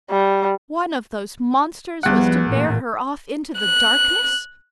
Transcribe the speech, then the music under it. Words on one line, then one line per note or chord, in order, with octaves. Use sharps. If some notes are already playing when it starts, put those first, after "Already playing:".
One of those monsters was to bear her off into the darkness?
G3
E2 F3 G3 B3 F#5
A1 A#2 A#3
F#6